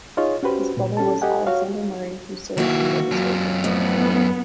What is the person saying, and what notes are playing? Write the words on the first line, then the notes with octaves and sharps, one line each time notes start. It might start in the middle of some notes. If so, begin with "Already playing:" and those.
His brother was Alexander Murray who served in Nova Scotia.
D#4 F4 G#4 C#5 D#5
C#4 F#4 G4 B4 C5
A#2
C#4 G4 A4 A5
G4 A4 D#5 F#5 G#5
F#4 C#5 F5
D#3 A#3 E4 F#4
F#2 F4
F2 A2 B3